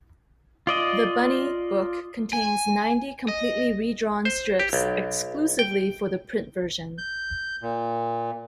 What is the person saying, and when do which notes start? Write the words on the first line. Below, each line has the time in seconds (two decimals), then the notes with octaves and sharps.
The "Bunny" book contains ninety completely redrawn strips exclusively for the print version.
0.67 F4 D5 D#5
2.33 G#5
3.28 D#5
4.25 C5
4.60 G4
4.73 B1
5.59 G5
6.98 G6
7.62 A#2